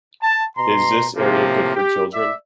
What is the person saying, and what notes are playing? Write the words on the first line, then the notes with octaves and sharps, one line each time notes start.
Is this area good for children?
A5
B2 A#5 C6
A2 C3 F3 A#3
G4
D5 E5